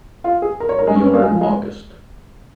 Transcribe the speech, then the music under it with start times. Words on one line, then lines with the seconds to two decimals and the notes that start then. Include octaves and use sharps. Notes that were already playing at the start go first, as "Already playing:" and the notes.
We are in August.
0.24 F4
0.42 G#4
0.60 A#4
0.69 C#5
0.79 A#4
0.87 G#3
0.95 C#4
1.06 C#4
1.14 A#3
1.22 G#3
1.31 F3
1.41 G#3